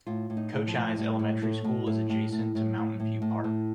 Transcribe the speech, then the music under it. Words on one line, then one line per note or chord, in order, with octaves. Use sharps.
Cochise Elementary School is adjacent to Mountain View Park.
A2 F4
A2
D#4
A2
F3
A2
A2 G3
A2
A2 A3
A2
A2
A2
A2
A2
A2
A2
A2
A2